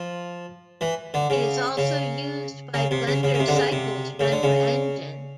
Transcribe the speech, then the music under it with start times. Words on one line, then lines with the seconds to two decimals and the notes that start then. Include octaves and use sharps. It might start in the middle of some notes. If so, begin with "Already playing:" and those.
It is also used by Blender's Cycles render engine.
Already playing: F3
0.81 E3
1.14 D3
1.30 C#3
1.77 C#3
2.74 C#3
2.91 C3
3.07 C#3
3.23 C#3
3.34 C#3
3.39 C3
3.48 D3
3.56 C#3
3.72 C3
4.20 C#3
4.32 D3
4.43 C#3